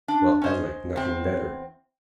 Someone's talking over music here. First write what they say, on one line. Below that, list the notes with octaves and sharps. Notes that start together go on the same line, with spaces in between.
Well, I'd like nothing better.
D4
C#4 C5 D#5
E2 C4